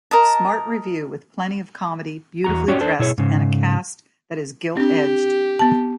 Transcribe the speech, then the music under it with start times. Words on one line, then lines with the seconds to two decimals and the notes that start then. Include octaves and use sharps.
Smart revue with plenty of comedy beautifully dressed and a cast that is gilt-edged.
0.11 A#4 D#5 A5
2.44 E2 F#4 A#5
2.68 C#4 F#4 G4 C#5 D5
2.81 D4 A4 C5
2.99 B2 E4 G#4 C#5
3.18 G#2 C#3
4.77 C4 D4 G4
5.59 B3 A5